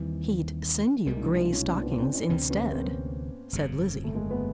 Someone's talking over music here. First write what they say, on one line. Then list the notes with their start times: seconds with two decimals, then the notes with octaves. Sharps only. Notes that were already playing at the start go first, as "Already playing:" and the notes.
"He'd send you grey stockings instead," said Lizzie.
Already playing: D#2 D#3 E3 G3 C4
1.06 C2 B2 G3 G#3 A#3
1.16 D#4
1.21 D4 E4
1.37 D#4 F4
1.52 C#4 D#4
1.68 C4 D4
1.84 B3 C#4
1.99 C4 D4
2.14 C#4 D#4
2.29 D2 C3 E3 C4 D4
2.50 B3 C#4
2.71 A#3 C4
3.53 G1 F2 C#3
4.04 A3
4.15 G#3 A#3
4.30 A3 B3